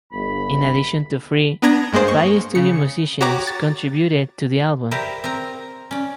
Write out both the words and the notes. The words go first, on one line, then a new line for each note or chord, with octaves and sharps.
In addition to Free, five studio musicians contributed to the album.
G1 B5
B3 D4 A#5 G#6 A#6
G2 G#3 A#3 G#4 C5
C#6
C#3 C#7
F#4 G4 C#5 A#5 D6
A6
E4 G4 A#4 C5 D5
C4 A#4 A#5
C#4 D5